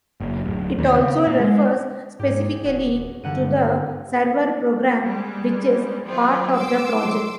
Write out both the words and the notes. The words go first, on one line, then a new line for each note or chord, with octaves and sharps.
It also refers specifically to the server program which is part of the project.
F#1
D1
D#2
C#3
A#2
G#3
G#2 G4 G#4
D#1 F#4
G2 D3 F#5 D#7
G3 G#3
D#3 F#3 B3 C4 F4 D5
C6 D6 E6